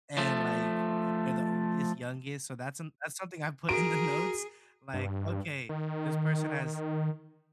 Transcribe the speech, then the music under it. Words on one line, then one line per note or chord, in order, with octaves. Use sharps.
and, like, if they're the oldest, youngest, so, that's an that's something I put in the notes, like, "Okay, this person has
F3 A3
F#4 G#4 A#4 D7
G2
D#3